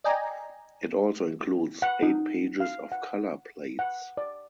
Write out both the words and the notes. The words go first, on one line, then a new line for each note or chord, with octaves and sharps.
It also includes eight pages of color plates.
D5 D#5 G5 G#5 A#5
F#5
D#4
F5
F#5
F#5
D5